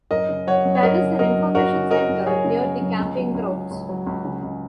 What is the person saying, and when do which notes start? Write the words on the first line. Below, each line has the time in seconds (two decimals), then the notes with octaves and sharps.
There is an information centre near the camping grounds.
0.11 F#1 A#4 D#5
0.29 C#3
0.47 F#3 C#5 F#5
0.65 F#2
0.75 C#5
0.83 F#1 A#4 D#5
1.01 C#3
1.19 F#3 A#4 D#5
1.37 F#2
1.55 F#1 F#4 A#4
1.73 C#3
1.91 F#3 A#4 D#5
2.09 F#2
2.26 F#1 G#4 C#5
2.44 C#3
2.63 F#3
2.81 F#2
2.99 C#2
3.17 F#3
3.35 C#2
3.52 C#3
3.71 C#2
3.89 F#3
4.07 C#2
4.25 C#3
4.43 C#2